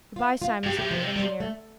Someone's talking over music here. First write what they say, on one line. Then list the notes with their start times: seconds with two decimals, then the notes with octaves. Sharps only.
"Good-by, Simon," said the engineer.
0.16 F4
0.42 F4
0.64 G2 G4
0.77 A2 G4
0.91 C3 F3
1.16 G3
1.40 A3